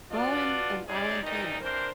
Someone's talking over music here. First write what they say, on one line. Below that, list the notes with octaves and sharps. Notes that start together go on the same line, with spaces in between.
Bowen, and Alan Plater.
D4 F4 F#4 B4 D5
C3 G3 C#4 D#4 G#4 D5
D#2 D#3 E3 G3 D#4
E3 C4 D4 A#4 C5